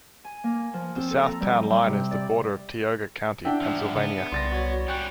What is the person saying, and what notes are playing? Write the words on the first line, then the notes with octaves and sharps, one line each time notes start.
The south town line is the border of Tioga County, Pennsylvania.
G#5
A#3
F3
C4
A4
A#5
G3
G3
C3
D5
D4 E5 F#5 G5
G#2 F3
C#3 B3
C2 D5 C6 A6 A#6
F#4 C#5
G3 C#4 G5 F#6